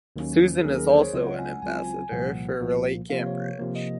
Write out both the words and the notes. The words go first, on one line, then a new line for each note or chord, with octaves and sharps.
Susan is also an Ambassador for Relate Cambridge.
D#2 D#3 F#3 A#3 C#4
G#4
D#2 D#3 F#3 A#3 C#4 A#4
G#4
C5
C#5
C#2 C#3 F#3 C4 F4 D#5
F#5
G#5
C#2 C#3 F#3 C4 F4 G#5
G#5
C2 A#2 F3 A#3 F#5
C2 A#2 F3 A#3
C3 F3 A#3 F5
C#5
C3 F3 A#3
D#5